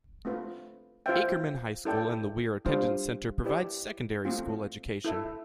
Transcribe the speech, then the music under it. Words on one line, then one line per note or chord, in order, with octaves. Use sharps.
Ackerman High School and the Weir Attendance Center provide secondary school education.
A3 C4 F4 B4
F4 C5 E5 G5
E4 A4 D5 G5
G3 D4 F4 C5 F5
E4 G4 B4 D5
A3 C4 F4
E4 A4 E5